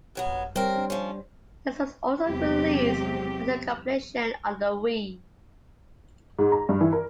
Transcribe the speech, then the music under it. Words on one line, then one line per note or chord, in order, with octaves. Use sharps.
This was also released as a compilation on the Wii.
D2 F#3 B3
G3 C4 A#4 C#5
D4 C5
F3 C#4
E2 C3 F#3 G#3 C4 G4
G#2
A#5
G2
E3
A#4